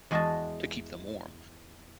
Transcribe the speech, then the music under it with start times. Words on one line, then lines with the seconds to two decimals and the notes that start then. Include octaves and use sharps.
to keep them warm.
0.11 E2 G#3 F#4 D#5 G#5 A5